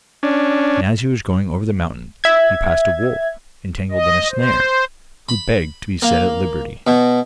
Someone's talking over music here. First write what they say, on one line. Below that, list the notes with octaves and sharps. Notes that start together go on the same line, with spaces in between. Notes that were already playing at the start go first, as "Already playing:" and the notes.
And as he was going over the mountain he passed a wolf entangled in a snare, who begged to be set at liberty.
C#4 D4
E5 G#6
D#5
C5
B5
A#3
B2